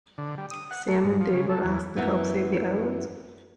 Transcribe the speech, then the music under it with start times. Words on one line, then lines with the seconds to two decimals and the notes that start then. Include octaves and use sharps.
Sam and Dave are asked to help save the island.
0.18 D3
0.38 G3
0.51 D#6
0.71 F#5
0.88 A3
1.04 G#2
1.21 F3
1.34 C#3
1.49 A4
1.64 E2
1.97 F#2 E3 B3